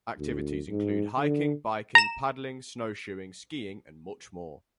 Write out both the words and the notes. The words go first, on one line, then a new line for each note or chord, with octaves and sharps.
Activities include hiking, biking, paddling, snowshoeing, skiing and much more.
D2
G#2
D3
A#5 E7